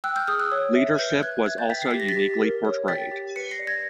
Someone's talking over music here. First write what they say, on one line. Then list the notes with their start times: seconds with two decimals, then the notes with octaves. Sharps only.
Leadership was also uniquely portrayed.
0.04 G5 E6 F#6
0.16 F6 G6
0.27 G#4 D#6 F6
0.39 E6 F#6
0.52 C#5
0.75 E5
0.99 B4 F6 G6
1.22 B4 F#6 G#6
1.46 E5 F#6 G#6
1.58 G6 A6
1.70 G5 A6 B6
1.82 C7
1.91 G4 B6
2.00 A#6
2.09 A6 B6
2.17 G4
2.41 A#4
2.65 C#5
2.88 G5 A6 B6
3.12 G4
3.36 B4 B6 C#7
3.51 A#6 C7
3.59 D5
3.67 G#6 A#6